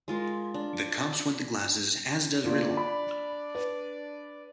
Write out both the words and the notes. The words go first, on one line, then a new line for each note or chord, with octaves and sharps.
The cops want the glasses, as does Rydell.
G#3 F4 A#4
D4
D3 A#3 D4 F4 D5
B5
B4